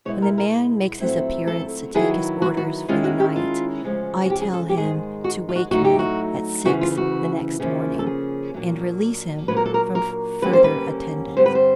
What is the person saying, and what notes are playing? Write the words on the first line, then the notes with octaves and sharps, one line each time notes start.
When the man makes his appearance to take his orders for the night, I tell him to wake me at six the next morning, and release him from further attendance.
B2 G#3 B3 E4 C#5
A#4
A#4
A#2 F#3 A3 C4 E4
A4
D#3 F#3 B3 E4 G#4
F#4
F#4
D#3 G#3 C#4 E4 F4
F#4
G4
F4
D2 C#3 F3 G#3 C#4
F#4
G4
G#4
A4
G4
G#2 D#3 G#3 G#4
F#4
F4
F#4
A2 F#3 A3 C4 D#4 F#4
G4
F#4
D2 C#3 E3 F#4
F4
F#4
C#3 F3 A#3 C#4 E4
A4
G#4
A#2 F#3 A#3 D4
A#2 F#3 A#3 D4 B4
A#4
A4
A#4
A#4
D3 G3 A#3 C#4 B4
C5
B4
G2 D3 G3 C4 C5
B4
C5